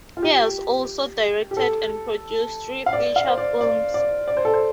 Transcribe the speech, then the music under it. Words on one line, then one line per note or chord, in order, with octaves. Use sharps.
He has also directed and produced three feature films.
F4
G4
G4
A4
F5
D5
F5
C5
D5
D5
D5
D5
C5
A4
C5